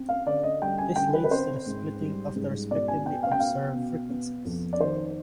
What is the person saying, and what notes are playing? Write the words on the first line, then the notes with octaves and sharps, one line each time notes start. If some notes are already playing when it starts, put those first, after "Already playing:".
This leads to the splitting of the respectively observed frequencies.
Already playing: C4
F5
D3 D5
D#5
G3 G5
G#5
D3 G5
B4
B4
C4 C5
G#2
G3
G#2
B2 D5
G#5
B3 G5
F5
G5
B3 F5
B2
B3
F2
D5
D#3 C5